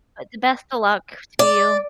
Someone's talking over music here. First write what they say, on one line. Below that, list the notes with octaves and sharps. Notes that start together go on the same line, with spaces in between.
But, the best of luck to you.
D5